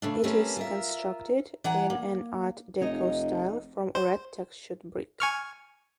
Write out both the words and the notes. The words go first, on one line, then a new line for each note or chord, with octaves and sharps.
It is constructed in an Art Deco style from red textured brick.
C#3 A3 D4
A3 C4 C#4 G4 A#4 B4
F4 A#4 E5
E3 D5 F#5 G#5 A#5
A#3
F1 D#4 C#5 D#5
C5
G#5 C#6 F6